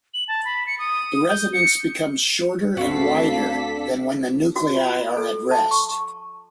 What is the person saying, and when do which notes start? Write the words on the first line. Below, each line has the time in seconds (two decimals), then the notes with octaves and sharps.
The resonance becomes shorter and wider than when the nuclei are at rest.
0.14 F#7
0.28 A5
0.45 B5
0.67 C#7
0.79 D#6
1.30 G6
1.53 C#7
2.77 D2 C4 F#4 A4 D5 F5 B6
4.56 F#4
4.76 F4
5.17 A4
5.51 A5
5.71 C#6